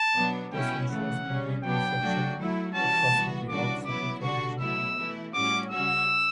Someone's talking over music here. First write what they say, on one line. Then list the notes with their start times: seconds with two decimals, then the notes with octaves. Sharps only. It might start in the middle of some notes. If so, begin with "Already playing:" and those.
This ensures complete reception across the New York City television market.
Already playing: A5
0.15 B2 F#3 B3 D4
0.52 B2 F#3 C#4 E4 G5
0.89 C#3 E3 A3 F#5
1.26 C#3 G3 C#4
1.63 F#3 B3 D4 G5
2.00 F#3 A3 D4 F#4
2.38 F#3 A3 E4
2.74 E3 G3 C#4 F#4 A5
3.12 E3 G3 B3 F#4
3.48 C#3 E3 G3 D4 F#4 D6
3.85 F#3 B3 E4 D6
4.22 D3 G3 D4 F#4 C#6
4.59 B2 F#3 A3 E4 E6
4.97 E3 A3 E4
5.34 A2 G3 C#4 F#4 D6
5.71 C#3 G3 C#4 F#4 E6